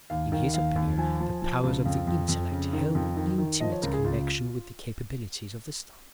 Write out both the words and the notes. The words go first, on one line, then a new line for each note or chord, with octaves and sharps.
In his opinion the powers of the intellect held intimate connection with the capabilities of the stomach.
D#2 F5
D#3 F5
D#2 F5
D#2
F3 G#5
F3
F3
C#2
F2 F5
F2
F2
C#3
D#3
F2
D#3
D#3
F3 D#5
C#5
C#2 A#4
G#4
C#2 F4